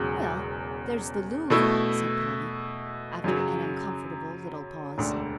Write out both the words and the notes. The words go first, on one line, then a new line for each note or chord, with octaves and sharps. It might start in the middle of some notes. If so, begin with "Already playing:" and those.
"Well, there's the Louvre," said Polly, after an uncomfortable little pause.
Already playing: E1 E2 C#3 F#3
B2 A3 E4
F#2 C#3 F#3
E1 D2 D3